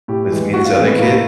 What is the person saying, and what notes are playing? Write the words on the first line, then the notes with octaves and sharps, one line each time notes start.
with me and this other kid.
A2 G4
E3 G#3
A2 F#4
F4
E3 G#3 C4
B3
A2 A#3